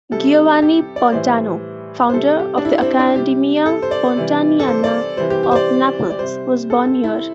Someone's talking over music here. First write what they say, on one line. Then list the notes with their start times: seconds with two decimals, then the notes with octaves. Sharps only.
Giovanni Pontano, founder of the Accademia Pontaniana of Naples, was born here.
0.11 C3 G3 A4
0.62 G4
0.96 D5
1.12 A2 E3 G3 C5
2.09 C5
2.14 C3 G3 A4
2.39 G4
2.57 D4
2.65 E4
2.82 C4
2.99 D4
3.15 C3 G3 G4
3.66 A4
3.82 C5
3.91 D5
4.16 C3 E3 G3
4.60 A4
4.68 C5
4.84 D5
5.17 C3 E3 G3 C5
5.30 G4
5.43 G4
5.51 C5
5.56 D5
6.10 D5
6.19 C3 G3 C5
6.70 A4
6.87 A4
7.04 E4